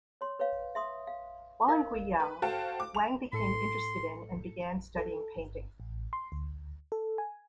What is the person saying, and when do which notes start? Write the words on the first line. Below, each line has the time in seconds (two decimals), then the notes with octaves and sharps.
While in Guiyang, Wang became interested in and began studying painting.
0.21 C#5 C6
0.39 B4 C#5 F5
0.75 E5 C6 D#6
1.07 F5
1.68 F4 A#4 D#5 F5
2.20 B4
2.42 F#4 A4 C5 F5 G5 A5
2.80 D6
2.95 F7
3.33 A2 A4 C6 C#7
4.98 A4
5.37 G1
5.80 A1
6.13 C6
6.32 D2
6.92 A4
7.18 G#5